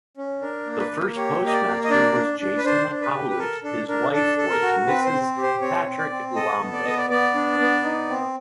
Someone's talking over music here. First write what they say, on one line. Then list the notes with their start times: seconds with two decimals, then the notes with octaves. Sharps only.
The first postmaster was Jason Hollett His wife was Mrs. Patrick Lambe.
0.17 C#4
0.41 D4 A#4
0.66 A#3
0.79 B4
0.91 A#3
1.16 G4 C#5
1.41 A#3
1.47 D#5
1.53 D5
1.66 A#3
1.84 D#5
1.90 D4 D5
2.15 D4
2.40 D4
2.57 B4
2.64 D4 C5
2.90 D4
3.01 B4
3.14 G4
3.30 B4
3.39 A4 A#4
3.64 D4 A4
3.88 D4 A#4
4.13 D4 A4
4.38 A4
4.50 A#4
4.62 F#4
4.87 C4 B4
5.06 C5
5.12 C4
5.37 G4
5.43 C5
5.61 C4 C#5
5.86 C4
5.98 D5
6.11 C4
6.36 A4 D#5
6.61 B3
6.73 D5
6.85 B3 D#5
6.97 D5
7.10 B3 D5
7.35 D4
7.60 B3
7.84 D#4
8.09 C4